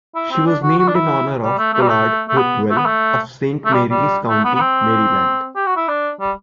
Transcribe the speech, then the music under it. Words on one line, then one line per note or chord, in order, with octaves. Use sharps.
She was named in honour of Pollard Hopewell of Saint Mary's county, Maryland.
E4
C4
D4
F#4
F#4
D4
E4
G3
A3
A3
G3
A3
A3
B3
A3
B3
A3
A3
G3
G3
A3
B3
B3
C4
G4
F#4
E4
D4
G3